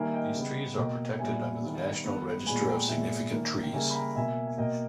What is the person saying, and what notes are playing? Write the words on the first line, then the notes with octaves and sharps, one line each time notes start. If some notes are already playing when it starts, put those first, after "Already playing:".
These trees are protected under the National Register of Significant Trees.
Already playing: D#3 G3 A#3 E5 G#5
D#5 G5
C#3 G3 B3
B2 A#3 D#5 G5
A#2 G3 B3 E5 G#5
D#3 G3 B3
D#3 G3 B3
A#2 G#3 B3 G#5 B5
G#5
G5 A#5
A#2 G#3 B3 E5 G#5
D#3 A#3
G5
C#3 G3 A#3 E5 G#5
B5
G5 A#5
B2 A#3 E5 G#5
G#5
B2 A#3 D#5 G5